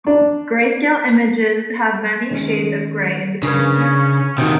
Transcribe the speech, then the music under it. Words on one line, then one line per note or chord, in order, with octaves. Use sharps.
Grayscale images have many shades of gray in between.
D4
D#3 G#3 C#4
C#3 C#4 D4 A#4 B4
C3 D#3 F#3 D#6 F6